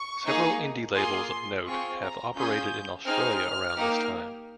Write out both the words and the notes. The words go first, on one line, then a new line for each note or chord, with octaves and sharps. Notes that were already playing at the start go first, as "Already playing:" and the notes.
Several indie labels of note have operated in Australia around this time.
Already playing: C#6
A#3 D#4 G#4
A#3 F4 G#4 C6
C4 F4 G#4 C#6
A#5
C#4 F4 G#4 G6
C4 D#4 G#4 F6
A#3 D#4 G4